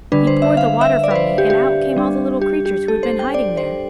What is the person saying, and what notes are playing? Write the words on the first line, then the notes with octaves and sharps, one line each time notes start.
"He poured the water from me, and out came all the little creatures who had been hiding there!"
D3 G3 D4 B4
C5
E5
F5
E5
D5
B4
C5
G4
G4
G3 D4
G4
G4
A4
C5
G5
D5
C5